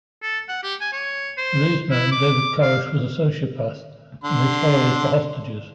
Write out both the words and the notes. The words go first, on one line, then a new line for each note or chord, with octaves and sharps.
For these men, David Koresh was a sociopath, and his followers were hostages.
A4
F#5
G4
G#5
C#5
C5
E4
D6
F5
D3 C6